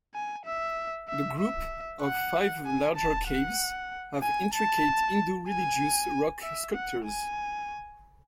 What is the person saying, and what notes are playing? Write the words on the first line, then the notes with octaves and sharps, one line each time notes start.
The group of five larger caves have intricate Hindu religious rock sculptures.
G#5
E5
E5
E5
F#5
G#5
A5
F#5
G#5
A5
G#5
E5
F#5
G#5